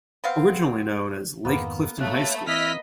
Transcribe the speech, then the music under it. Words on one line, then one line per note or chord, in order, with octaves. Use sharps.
Originally known as "Lake Clifton High School".
B3 C4 F5
F2 G#2 D#3 A#3 B3
A3 C#5 F5 F#6
E3 C4 E4 D#5 F6 B6